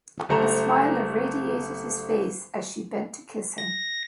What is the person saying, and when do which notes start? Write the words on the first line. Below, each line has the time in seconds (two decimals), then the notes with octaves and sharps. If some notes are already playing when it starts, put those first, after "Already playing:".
A smile irradiated his face as she bent to kiss him.
0.29 F#1 G3 A3 C5 A#5
3.58 A#6